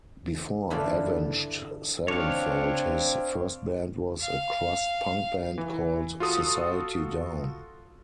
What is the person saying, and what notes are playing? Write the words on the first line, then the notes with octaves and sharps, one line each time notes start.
Before Avenged Sevenfold, his first band was a crust punk band called Society Down.
G2 D3 E3 F4 A4 D5
C4 D4 C#5 F5
F5
E3
F4 F#4 A4 D#6